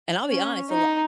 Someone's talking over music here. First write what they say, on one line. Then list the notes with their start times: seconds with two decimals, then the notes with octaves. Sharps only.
And I'll be honest, a lot
0.30 C#4
0.71 D#4